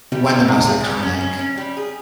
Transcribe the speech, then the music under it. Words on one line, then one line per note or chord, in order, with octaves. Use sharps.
one of the most iconic,
G3
G3
C3
G#4
G3
C#4
C#4
C#4
G3
G#4